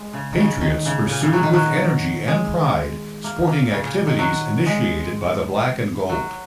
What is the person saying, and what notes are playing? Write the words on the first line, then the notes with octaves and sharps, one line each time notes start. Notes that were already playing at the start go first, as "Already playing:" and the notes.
"Patriots" pursued with energy and pride sporting activities initiated by the "Black and Gold".
Already playing: G#3
C#3
D#3
C#3
D#3
C#3
A#2
C#3
F#3
D#3
F#3
G#3
A#3
A#3
C#3
A#2
D#3
F#3
G#3
F#3